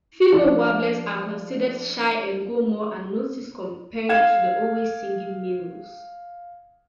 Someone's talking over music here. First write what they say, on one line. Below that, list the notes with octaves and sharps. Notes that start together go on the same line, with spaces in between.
Female warblers are considered shy and go more unnoticed compared to the always-singing males.
F3 D4 D5
F5 G#6 E7